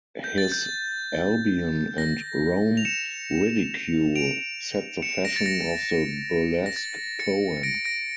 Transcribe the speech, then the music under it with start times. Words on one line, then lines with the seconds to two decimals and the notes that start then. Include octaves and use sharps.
His "Albion" and "Rome ridicule" set the fashion of the burlesque poem.
0.24 G6
0.38 A6
0.52 G6
1.98 A#6
2.77 F7
2.85 C#7 E7
4.15 D7 F7
5.02 C#7 E7
5.25 A#6 D7
5.36 A6
5.46 A#6
6.66 A#6
6.76 A6
7.19 A6 C#7
7.63 A#6 D7
7.85 A#6 D7